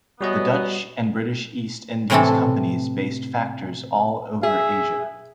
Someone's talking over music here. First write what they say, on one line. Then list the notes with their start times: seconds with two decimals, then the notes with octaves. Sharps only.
The Dutch and British East Indies companies based factors all over Asia.
0.21 E2 F#3 G3 B3 F#4 D#5
2.10 A2 C3 E3 C4 E4 A4
4.43 G#4 E5